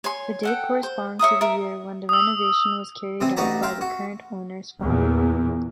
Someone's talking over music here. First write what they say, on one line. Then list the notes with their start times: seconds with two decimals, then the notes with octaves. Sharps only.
The date corresponds to the year when the renovation was carried out by the current owner’s father.
0.04 C#5 G#5 C6
0.43 A4 F#5 G5
0.83 C5
1.19 C#5 E5 A#5 D#6
1.41 A#4 E5
2.09 D#6 E6
3.20 C3 E3 C4 D#6
3.36 A1 D#4 F#4 B4 D5 A#5
3.62 E5 F5 G5 A#5 C6
3.81 F#4
4.80 E2 A#2